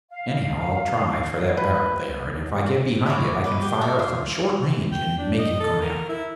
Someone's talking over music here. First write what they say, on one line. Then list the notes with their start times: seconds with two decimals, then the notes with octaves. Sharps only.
Anyhow I'll try for that barrel there; and if I get behind it I can fire from short range and make him come out.'
0.11 F5
1.57 B4
3.06 E4 G#4 C#5 D5
3.44 B4 D#5 D6
3.62 G4
3.81 A4 A#4 D5 E5
3.99 F4 E5 F5
4.92 G5
5.18 D4
5.39 D#5
5.60 A4
5.82 A#4
6.09 E4